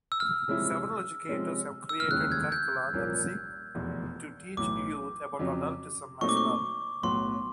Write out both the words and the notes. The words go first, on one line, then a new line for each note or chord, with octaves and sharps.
Several educators have created curricula that seek to teach youth about adultism, as well.
E6
F6
C3 F3 G#3 C#4 E4
C3 F3 G#3 C#4
E6
F6
F1 D#2 C#3 E3 G#3 F#6
G#6
G6
C2 A#2 F3 A#3 C#4
F1 E2 B2
B1 A2 E3 D6
F2 C#3 F#3
A#2 F#3 A3 C4 D#4 C#6
D6
C#6
B1 A2 F#3 B3 C6